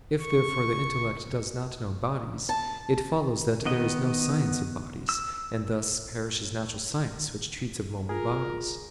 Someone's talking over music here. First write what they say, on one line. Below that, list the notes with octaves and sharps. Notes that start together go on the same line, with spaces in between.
If, therefore, the intellect does not know bodies, it follows that there is no science of bodies; and thus perishes natural science, which treats of mobile bodies.
C#6
A5
D#3 B3 D#5
E6
F4 G#4 A#4